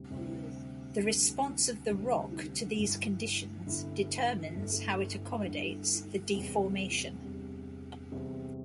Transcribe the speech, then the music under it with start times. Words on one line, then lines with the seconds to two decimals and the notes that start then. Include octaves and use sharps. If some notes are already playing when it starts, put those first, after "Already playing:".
The response of the rock to these conditions determines how it accommodates the deformation.
Already playing: D2 C3 G3
0.10 D2 C3 G3
0.99 D2 C3 G3
1.88 D2 C3 G3
2.77 G1 G2 D3 A3 E4
3.66 G1 G2 D3 A3 E4
4.55 G1 G2 D3 A3 E4
5.44 G1 G2 D3 A3 E4
6.33 E2 C3 G3
7.22 E2 C3 G3
8.11 E2 C3 G3